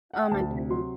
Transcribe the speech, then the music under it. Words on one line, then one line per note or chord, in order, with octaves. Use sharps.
Oh my goodness.
F#5
G5
D2 A5
C3
F#3 C6